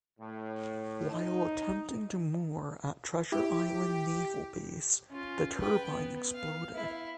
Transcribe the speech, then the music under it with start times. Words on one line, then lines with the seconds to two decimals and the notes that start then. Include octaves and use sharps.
While attempting to moor at Treasure Island Naval Base, the turbine exploded.
0.20 A2
1.12 D#4
3.32 E4 G4
5.09 C#4 F4
5.57 B4 G5
5.89 B3
6.34 F5
6.74 E4